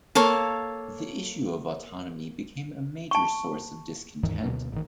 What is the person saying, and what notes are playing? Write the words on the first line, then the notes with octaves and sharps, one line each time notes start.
The issue of autonomy became a major source of discontent.
A#3 A4 C#5 F5
A5 C#6
D#2 G#2 D#3 E3
D2 B2 A#3
A1 D#3